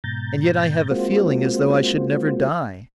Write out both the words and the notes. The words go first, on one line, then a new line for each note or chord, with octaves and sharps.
And yet I have a feeling as though I should never die.
G#2 B2 A#5 G6 A6
G#3 A#3 C4 F4 F#4 C5